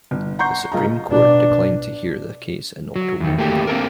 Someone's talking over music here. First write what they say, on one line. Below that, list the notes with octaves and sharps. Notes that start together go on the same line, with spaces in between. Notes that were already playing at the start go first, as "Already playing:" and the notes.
The Supreme Court declined to hear the case in October.
G1
F#5 A#5 C6 C#6 G6 C7
F#1 F4 G#4 D#5 A#5
B2 D4
F#3
E2 D#3
A3 A#3 G4
C4 A4 A#4